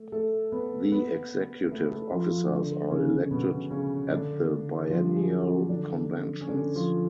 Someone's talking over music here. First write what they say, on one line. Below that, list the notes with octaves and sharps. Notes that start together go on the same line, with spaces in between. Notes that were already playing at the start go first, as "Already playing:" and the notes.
The Executive Officers are elected at the biennial conventions.
Already playing: A3
A3 A4
B3 B4
B3 B4
A3 A4
A3 A4
F3 F4
F3 F4
D3 D4
C#3 C#4
B2 B3
C#3 C#4
D3 D4
F3 F4
G#3 G#4
F#3 F#4
D3 D4
C#4
D3 D4
F3 F4